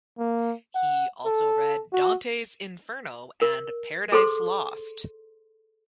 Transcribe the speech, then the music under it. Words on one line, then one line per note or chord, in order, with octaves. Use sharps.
He also read Dante's "Inferno" and "Paradise Lost".
A#3
F#5
A4
F#4
A#4
G#4 A4 C5 C6